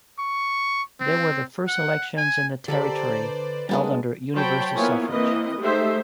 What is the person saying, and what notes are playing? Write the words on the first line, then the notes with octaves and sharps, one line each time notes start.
They were the first elections in the territory held under universal suffrage.
C#6
C4
F#5
G#5
D3 G4 A4 A#4 C5 D5 B5
B4
G3 G#3 A#3 B3 D4
F#3 C5 C#5 G5 A5 B5
A#3 B3 E4 F4 C#5 G#5
E3 A#3 C4 B4 D#5
G#3 A3 D#4 G4 C5 E5